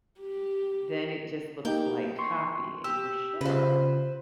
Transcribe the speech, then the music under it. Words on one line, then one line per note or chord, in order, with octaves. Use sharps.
then it just looks like copying for sure.
G4
A#3 D#4 G4 G5
C6 C#6
G4 E6
C#3 F4 B4 C5